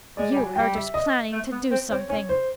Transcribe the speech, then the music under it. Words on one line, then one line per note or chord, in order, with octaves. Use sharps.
"You heard us planning to do something."
G#3 D5
G3 G#5
F#3
G3 G5
E5
D#5
A3
B3
C4
C4 C#5
C#4 C#5
C5